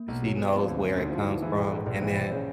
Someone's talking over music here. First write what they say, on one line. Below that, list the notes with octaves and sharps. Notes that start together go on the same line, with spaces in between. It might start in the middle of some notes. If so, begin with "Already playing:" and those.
she knows where it comes from, and then
Already playing: A#3
B1
F#3
B3
F3 C4
C4
D2
C#4
C3 D4
D2 F#4
D#4
F3 E4
D#4
D2 E4
E3 G#4
A#1
A4
G#2
A#1 B4
E3 C5
A#1 C5
C#3 C#5